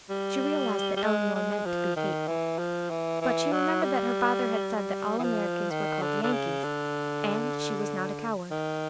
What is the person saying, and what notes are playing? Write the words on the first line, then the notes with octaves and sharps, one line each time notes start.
She realized that Elinor meant to be hateful; but she remembered that her father had said that all Americans were called "Yankees," and she was not a coward.
G3
G3
G#3
G#3
F3
D#3
E3
F3
E3
E3
F#3
G3
G3
E3
F3
D#3
D3
D3
C#3
D3
D#3